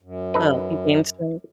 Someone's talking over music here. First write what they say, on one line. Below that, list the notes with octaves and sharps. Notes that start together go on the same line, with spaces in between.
Oh, you gained strength?
F#2
D#4 A4 B4